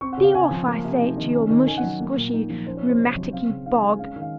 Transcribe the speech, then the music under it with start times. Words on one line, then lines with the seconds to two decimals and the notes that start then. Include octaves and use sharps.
Be off, I say, to your mushy-squshy, rheumaticky bog.
0.01 C4 C#6
0.13 F#5
0.17 C#3
0.24 F5
0.34 C#3 G#5
0.51 F3
0.67 A#3
0.84 C3
1.01 D#4
1.17 D#3
1.34 C#4
1.50 D#3
1.67 D#3 G#5
1.78 F#5
1.83 F#3
2.00 A#3
2.17 A#2
2.33 D#4
2.50 F3
2.67 C#4 C5
2.77 C#5
2.84 C3
2.89 C5
3.00 C3 C#5
3.17 F#3
3.32 C4 F5
3.49 C#3
3.66 D#4 F5
3.77 G#5
3.82 G#3
3.99 C#4 F5
4.16 D#3
4.21 F5